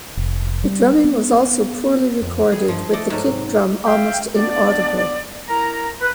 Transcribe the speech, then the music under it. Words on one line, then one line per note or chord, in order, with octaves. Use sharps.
The drumming was also poorly recorded, with the kick drum almost inaudible.
F1
G3
B3
F2
G3 G#4
G2 F3
A3 A4 D5 D#5
G#2 F#3
C3
E5 F5 G5
B3 D4 D5
E4 A#4 A#5
B4